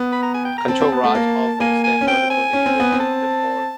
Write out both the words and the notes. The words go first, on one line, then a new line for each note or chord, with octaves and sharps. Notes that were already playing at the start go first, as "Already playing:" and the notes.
Control rods often stand vertically within the core.
Already playing: B3
B5
A#5
G#5
G5
A#5
C4 A5
C4
B3
A3
A#3
A#3 G#5
G#5
C#4
C4 G5
G#5
C#4
C4
B3
C4
A5